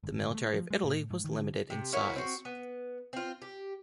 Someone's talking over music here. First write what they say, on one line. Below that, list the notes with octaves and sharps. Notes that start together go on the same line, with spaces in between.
The military of Italy was limited in size.
G1
G1
A3
F3
G#3
A2
G#2
D#3
D3
C3
C#4 E4 F#4 A#4
C4 F#4
B3
C4 F4
G4